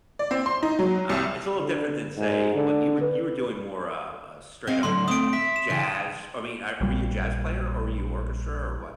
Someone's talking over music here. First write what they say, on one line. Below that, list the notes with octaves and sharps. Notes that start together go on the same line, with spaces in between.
Uh, it's a little different than, say well, you were, you were doing more, uh, uh, straight up, uh, jazz. I mean, uh, were you a jazz player, or were you orchestra, or what?
D5
C4
C6
D#4
F#3
C2
D3
G#2
D3
B4
C4 D#5 F5
A2 D3 F#3 C6
A3 C4 D#6 D7
E5 B6
E7
C#3 E3
A#1 G3